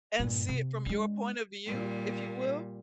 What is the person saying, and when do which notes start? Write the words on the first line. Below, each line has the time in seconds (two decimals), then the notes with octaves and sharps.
and see it from your point of view, if you will.
0.19 G2 A#2
0.49 C3
0.86 G#3 D4
1.67 A#2 G3